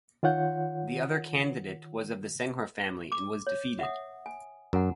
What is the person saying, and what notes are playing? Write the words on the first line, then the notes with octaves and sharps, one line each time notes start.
The other candidate was of the Senghore family and was defeated.
D#3 F4 C#5 F#5 G6
D6
C#5
E5 F#5 D#6
G#5
F#2 F#5 G#5 A#5